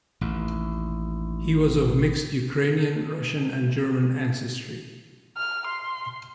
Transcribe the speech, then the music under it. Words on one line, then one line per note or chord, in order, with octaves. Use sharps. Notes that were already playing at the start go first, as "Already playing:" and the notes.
He was of mixed Ukrainian, Russian, and German ancestry.
A1 D#2
F6
C6